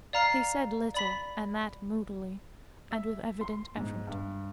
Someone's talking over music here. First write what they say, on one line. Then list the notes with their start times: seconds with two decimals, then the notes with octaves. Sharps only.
He said little, and that moodily, and with evident effort.
0.13 D5 F5 A#5 F6 C7
0.94 D5 B5 B6
2.91 E5
3.41 C6
3.77 G#2
4.07 G2